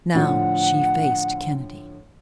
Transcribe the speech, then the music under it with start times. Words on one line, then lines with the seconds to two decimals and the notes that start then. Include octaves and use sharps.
Now she faced Kennedy.
0.14 A2 D3 F3 F#5